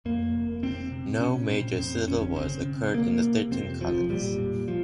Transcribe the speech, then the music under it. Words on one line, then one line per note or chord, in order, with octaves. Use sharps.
No major civil wars occurred in the thirteen colonies.
F2 A#3
F1
C3 C4
C3
A#2 C#4
A#2 C4
F2 C4
G1 C#4
C#3 C4
C#3
C3 A#3
C3
F2 C4
F1 F3
A#2 G3
A#2
F3